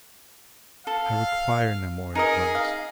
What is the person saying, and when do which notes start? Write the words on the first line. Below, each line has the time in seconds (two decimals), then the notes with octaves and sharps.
"I require no more advice."
0.87 A4 F5
2.15 D#4 G#4 A#4 D#5
2.55 D#5 F5